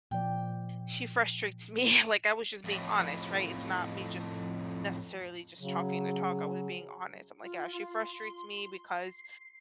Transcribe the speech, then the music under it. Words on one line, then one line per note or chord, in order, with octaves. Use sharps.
she frustrates me" Like I was just being honest, right? It's not me just necessarily just talking to talk, I was being honest. I'm like: "Yeah, she frustrates me because
A#2 F3 D5 G5
F2 A2
C#3 F#3
F4
C6
C7